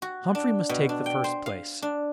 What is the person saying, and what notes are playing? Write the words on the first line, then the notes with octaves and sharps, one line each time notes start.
Humphrey must take the first place.
F#4
D4
B2
D4
G5
C5
F5
D4